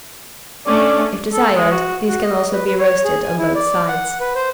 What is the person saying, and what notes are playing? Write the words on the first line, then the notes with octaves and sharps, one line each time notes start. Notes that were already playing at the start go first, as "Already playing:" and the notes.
If desired these can also be roasted on both sides.
A3 C#4 D4 D5
A4
G#3
F#4
F#4
D#5
B4
B4
C#5
G#4
G#5
E4
D5
F#5
B4
C5